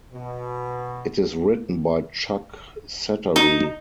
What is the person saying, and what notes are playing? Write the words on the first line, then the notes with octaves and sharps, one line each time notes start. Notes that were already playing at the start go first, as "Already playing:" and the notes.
It is written by Chuck Satterlee.
B2
D#4